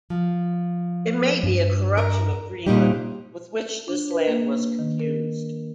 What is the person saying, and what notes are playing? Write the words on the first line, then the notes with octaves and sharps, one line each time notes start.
It may be a corruption of 'Greenland,' with which this land was confused.
F3
G2
A#4
A#2 G3 D#4 G4
D4
B4
A#3
D#3
A#4